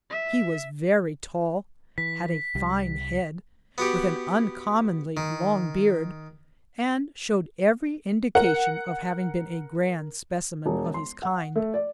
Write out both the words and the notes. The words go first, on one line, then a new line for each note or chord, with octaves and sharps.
He was very tall, had a fine head, with an uncommonly long beard, and showed every indication of having been a grand specimen of his kind.
E5
E3 B6
C2 G3
B3 F#4 G4
D#3
A#4 F#5
E1
C6
F#5
A3
D5